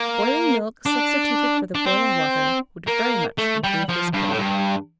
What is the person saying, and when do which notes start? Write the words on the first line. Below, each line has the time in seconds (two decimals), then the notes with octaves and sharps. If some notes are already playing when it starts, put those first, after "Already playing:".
Boiling milk substituted for the boiling water would very much improve this pudding.
Already playing: A#3
0.86 D4
1.75 D4
1.86 C4
2.87 A#3
3.38 A3
3.64 G3
3.89 F3
4.14 G2
4.30 A2
4.39 G2